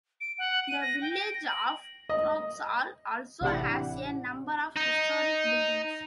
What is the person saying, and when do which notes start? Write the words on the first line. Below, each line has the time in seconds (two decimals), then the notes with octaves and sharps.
The village of Croxall also has a number of historic buildings.
0.21 D7
0.39 F#5
0.68 D#7
0.81 A#6
1.02 G5
1.13 D7
1.34 A#6
1.48 F#7
2.09 D#5
3.41 A1 C3 D4 E4 G4 F#5
4.77 D#4